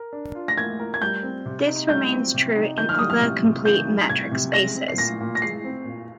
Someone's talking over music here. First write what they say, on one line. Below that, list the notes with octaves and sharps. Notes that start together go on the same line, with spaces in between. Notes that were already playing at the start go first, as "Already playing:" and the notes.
This remains true in other complete metric spaces.
Already playing: A#4
D4
F4
A#6
A#3 G#6
A#4
G#6
G3 G6
C4
C3
D#4
G3 G6
C4
C3
D#4
D#3 G6
F6
G3 D#6
F6
C3
C3
D#3 G6
G3
C3 G#6
C3
G#3 A#6
C4
C7
A#2 A#6
A#2
A#6
G#3 C7
C4
A#2